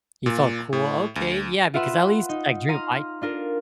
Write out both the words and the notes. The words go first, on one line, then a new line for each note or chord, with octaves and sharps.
You felt cool? Okay, yeah, because at least I dreamed, I
A#2
A2
D2
F4 B4 E5 F#5 C6
D#4
F5 A#5 C6 F6 D#7
D4 F4 A#4